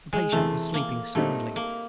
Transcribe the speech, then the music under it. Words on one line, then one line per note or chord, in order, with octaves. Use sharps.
The patient was sleeping soundly.
G#3
E2 C3 E3 A3
A#3
A#2 G3 A3 C4 D#4
A#3